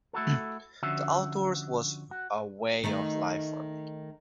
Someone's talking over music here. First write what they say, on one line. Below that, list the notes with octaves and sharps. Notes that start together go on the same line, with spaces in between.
The outdoors was a way of life for me.
A3 E4 F#4 A4
D3 F3 C#4 F#4 E5
F#4
D#3 A3 D#4